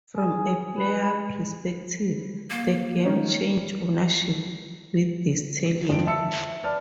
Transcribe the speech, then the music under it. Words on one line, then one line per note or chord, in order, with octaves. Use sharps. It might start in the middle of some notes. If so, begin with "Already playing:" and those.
From a player perspective, the game changed ownership with this telling.
G#4
B4
A#3
D#3 C#4
F2 D7
E5 A5 E6 C#7
B4 D5 A5 F6